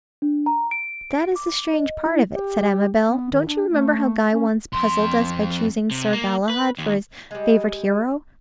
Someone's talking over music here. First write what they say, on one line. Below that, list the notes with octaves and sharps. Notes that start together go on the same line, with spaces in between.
'That is the strange part of it,' said Amabel. 'Don't you remember how Guy once puzzled us by choosing Sir Galahad for his favourite hero?
D4
A#5
D7
D6
D#5
E4
G4
B3
D#3
D4
A3
C#4
F2 C6
C3
A#3
B4
D#2
G3 G#3